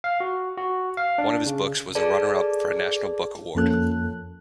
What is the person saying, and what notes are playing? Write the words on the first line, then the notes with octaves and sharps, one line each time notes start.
One of his books was a runner-up for a National Book Award.
F5
F#4
F#4
F5
D4
C#3
G#4 A4 B4 D5 A5
F2 F3 A#3 C#4 A4 F#6